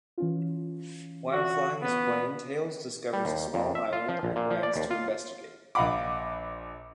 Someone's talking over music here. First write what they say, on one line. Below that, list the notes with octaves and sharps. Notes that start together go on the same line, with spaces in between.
While flying his plane, Tails discovers a small island and lands to investigate.
E3 C#4 F4
F#4
B3
G3
D#2
F2
E5
F4
F3
A#1
A#2
F3
D5
D#2
F4
A#1 D#5 F5 F#5 B5 D6